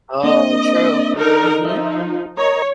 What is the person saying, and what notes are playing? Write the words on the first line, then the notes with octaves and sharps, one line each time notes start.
Oh, true. Mhm.
A#3 C4 D4 D#5
D3 D#4 A#4
F3 D#4 D#5 E5
F4
A#4 C#5 D#5 A#5